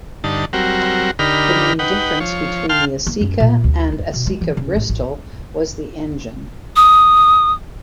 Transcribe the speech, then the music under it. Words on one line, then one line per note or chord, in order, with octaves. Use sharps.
The main difference between the Aceca and Aceca-Bristol was the engine.
G2 D3 D#4 A5
F#3 G3 C4 F#4 A#4
D3 D#4 G4 A#4 B5 F6
D#4 B4 F#5 G5
F3 C#5
F5 G5 A5 C6 F6
A#3
F#2
A#2
D2
G#3
B2
G#3
E3
C#3
A1
A1
D#6